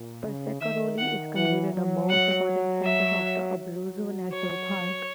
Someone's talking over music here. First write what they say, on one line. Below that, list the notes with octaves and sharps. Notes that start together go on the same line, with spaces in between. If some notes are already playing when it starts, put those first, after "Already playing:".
Pescasseroli is considered the most important center of the Abruzzo National Park.
Already playing: A#2
C#3
D#3 E5
D#3 F#5
E3 F#5
F#3
F#5
E5
F#3
C#5